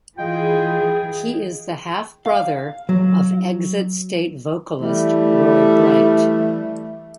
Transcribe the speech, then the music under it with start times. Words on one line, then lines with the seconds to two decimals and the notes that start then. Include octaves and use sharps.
He is the half-brother of Exit State vocalist Roy Bright.
0.19 E3 F4 G#4 D#5 G5
2.26 F5
2.89 F#3
4.80 E3 G3 A3